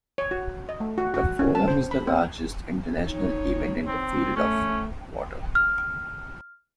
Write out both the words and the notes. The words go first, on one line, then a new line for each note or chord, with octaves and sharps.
The Forum is the largest international event in the field of water.
C#5
F#4
D#5
A3
F#4
F#4
C#4
A5
C5
B5
C4
D#4 C#5
C4
A3 C#4
F6